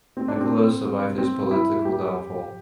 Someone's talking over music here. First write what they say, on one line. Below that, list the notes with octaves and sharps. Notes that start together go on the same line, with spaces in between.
Nicholas survived his political downfall.
C4
D4
C4
C4
E4
G4